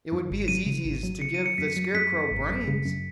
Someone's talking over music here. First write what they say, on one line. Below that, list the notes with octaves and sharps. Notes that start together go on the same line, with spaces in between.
"It would be as easy as to give the Scarecrow brains."
F#2
G#1
F#3 D#7
C#3
G#1
F#3
C#3 C#7
F#3 D#7
C#7
F#2 B6
F#3
F#2 B6
F#2
G#1
F#2
C#3
F#2